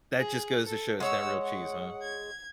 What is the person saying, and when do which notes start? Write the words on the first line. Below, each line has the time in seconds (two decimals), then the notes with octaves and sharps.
That just goes to show it's not real cheese, huh.
0.19 G#4
0.66 A4
1.00 G#3 C#5 F#5 E6
1.42 F#5
2.02 G#6